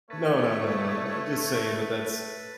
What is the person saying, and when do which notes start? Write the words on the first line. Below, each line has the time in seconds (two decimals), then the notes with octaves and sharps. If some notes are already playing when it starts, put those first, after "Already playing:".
No, no, no, no, no, just saying that that's
0.10 A3 B4 C#5 A5